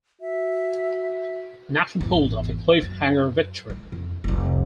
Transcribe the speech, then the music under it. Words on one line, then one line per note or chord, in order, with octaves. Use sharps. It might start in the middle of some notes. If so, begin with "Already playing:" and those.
National pulled off a cliff-hanger victory.
F#4 E5
G#1 E2
F#2
G#3
F2
F1 C2